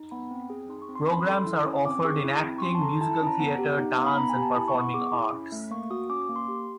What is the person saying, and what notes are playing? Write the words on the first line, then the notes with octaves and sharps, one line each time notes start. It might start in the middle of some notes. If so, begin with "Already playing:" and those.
Programs are offered in Acting, Musical Theatre, Dance and Performing Arts.
Already playing: D#4
B3 B5
C4
G#4
D#4 C6
C#6
C4
C6
C#4 B5
A4 C6
E4
C#4 D#6
C4 D6
G#4 C#6
E4
C4
C#6
C#4 C6
A5
A4 A#5
E4 A5
A5
C#4
A#5
B3
G4
D#4
B3
B5
B3 A#5
G#5
G4
A5
E4 B5
C#6
B3
C#6
G#4 D6
E4
C#4
A3
A#3 C#6
F#4 D#6
C#4 D6
D6
A#3
C6
G4